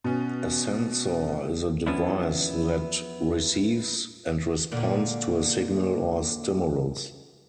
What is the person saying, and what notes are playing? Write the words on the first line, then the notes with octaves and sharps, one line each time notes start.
A sensor is a device that receives and responds to a signal or stimulus.
B2 C#4
F3 B3 C#4 D4 E4
A#2 D3